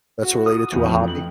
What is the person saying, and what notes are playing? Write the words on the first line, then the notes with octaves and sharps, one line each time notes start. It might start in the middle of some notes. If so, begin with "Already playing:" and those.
that's related to a hobby?
F#4
D#6
E2
F2
F#7